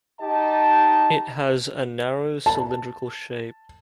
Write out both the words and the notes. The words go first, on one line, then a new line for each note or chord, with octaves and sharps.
It has a narrow cylindrical shape.
D#4 G4 D#5 A5
A5